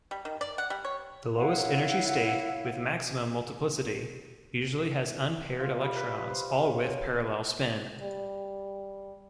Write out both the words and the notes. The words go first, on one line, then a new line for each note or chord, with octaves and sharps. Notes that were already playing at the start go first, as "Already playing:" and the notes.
The lowest-energy state with maximum multiplicity usually has unpaired electrons all with parallel spin.
G3
D#3
D5
F#5
G3
C#5
E4 C#5 F5 F#5
F4
G3
B4
C5
A5
C#5
G3